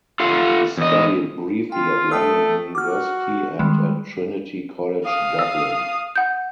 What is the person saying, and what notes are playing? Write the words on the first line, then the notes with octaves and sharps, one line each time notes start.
He studied briefly at London University and at Trinity College Dublin.
F4 A4 F5 F#5
E2 D#5
F4 G5
A3 G5 D#6 E6
F#4 D6 F6
D#3 G3 G#3
F5 D#6
E6
F#5 G6